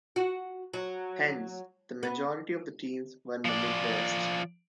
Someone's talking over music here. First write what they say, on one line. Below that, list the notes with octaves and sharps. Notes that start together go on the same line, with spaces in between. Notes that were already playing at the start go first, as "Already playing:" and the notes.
Hence, the majority of the teams were in the Midwest.
F#4
F#3
B3
F3 D5